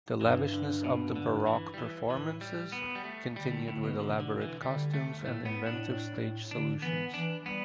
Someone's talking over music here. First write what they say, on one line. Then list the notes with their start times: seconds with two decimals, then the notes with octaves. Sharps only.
The lavishness of the Baroque performances continued with elaborate costumes and inventive stage solutions.
0.21 G2 E3
0.53 D3
0.84 B2
1.16 D3
1.47 E3
1.74 G3
1.78 E3
2.10 A2 E3
2.41 G3
2.72 B3
2.95 G3
3.04 A3
3.36 D3 G3
3.51 A2
3.67 A2 D3
3.83 B2
3.98 B2 D3
4.20 D3
4.41 E3
4.62 D3 G3
4.94 A3
5.25 A2 A3
5.41 A2 B3
5.66 D4
5.72 A2
5.87 A2
6.20 A2
6.51 D3 D4
6.82 E3 B3
7.13 E3 D4
7.45 G3 B3